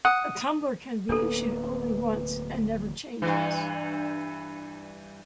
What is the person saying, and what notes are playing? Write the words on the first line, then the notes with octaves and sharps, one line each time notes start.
A tumbler can be issued only once and never changes.
F#5 D#6
D1 A#3 B3 D4 A4 B4
G2 E3